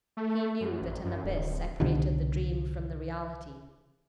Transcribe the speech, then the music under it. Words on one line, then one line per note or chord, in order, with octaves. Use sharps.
He knew that an abyss separated the dream from the reality.
A3
F#2
A1
F#2
D1
C2 B2 D3 D#3